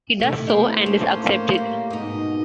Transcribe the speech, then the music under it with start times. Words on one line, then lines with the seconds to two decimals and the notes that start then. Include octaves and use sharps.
He does so and is accepted.
0.20 C3 D#3 A3 E4
0.49 B3 A#4 C5
0.82 D2 C#4 D4 C5
1.11 G#2 A#3
1.54 G3 C4
1.90 G#2 B2 D#4 D#5